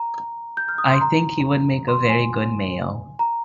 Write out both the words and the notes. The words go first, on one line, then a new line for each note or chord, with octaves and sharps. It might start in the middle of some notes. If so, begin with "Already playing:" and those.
I think he would make a very good mayo.
Already playing: A#5
G6
F6
D#6
C6
A#5
C6
G#5
A#5